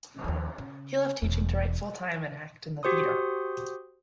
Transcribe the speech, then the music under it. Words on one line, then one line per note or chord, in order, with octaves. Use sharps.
He left teaching to write full-time and act in the theatre.
D#2 F3
C#3
E1 E2
F#4 G4 C5 C6 D#6